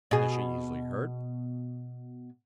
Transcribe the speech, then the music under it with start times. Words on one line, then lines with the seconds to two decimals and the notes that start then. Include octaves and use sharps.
Is she easily hurt?
0.11 B2 G#4